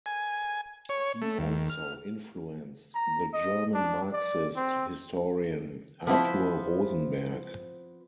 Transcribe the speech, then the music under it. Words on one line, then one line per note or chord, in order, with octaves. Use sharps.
He also influenced the German Marxist historian Arthur Rosenberg.
G#5
C#5
A3
D#2
F6
A#5
D#5
D4
D5
C4
F3 B3 C4 D#4 E4 C5